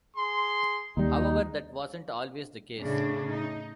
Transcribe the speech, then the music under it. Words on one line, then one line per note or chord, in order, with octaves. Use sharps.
However, that wasn't always the case.
G#4 C6
D#2 G3 D#4
A2 C#3 D4
D#4